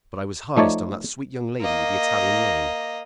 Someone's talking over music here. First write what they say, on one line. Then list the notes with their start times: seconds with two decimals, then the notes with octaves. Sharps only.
But I was hardest on that sweet young lady with the Italian name.
0.57 F3 A3 D#4 C#5 D5
1.60 A#3 D#5